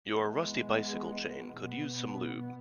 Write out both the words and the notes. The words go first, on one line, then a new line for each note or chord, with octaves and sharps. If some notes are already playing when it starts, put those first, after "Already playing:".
Your rusty bicycle chain could use some lube.
E3 G#3 B3
B2 B3